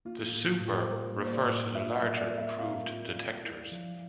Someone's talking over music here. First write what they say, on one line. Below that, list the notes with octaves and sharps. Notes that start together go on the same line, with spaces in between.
The "super" refers to the larger, improved detectors.
A#3 F4
F4
A2
F4
A2
G4
C5
G3 A#4
A#3
C5
D5
A2
F4 E5
E5
G3
D5
A#4
E5
C4 F5
F4
G3
E4
F3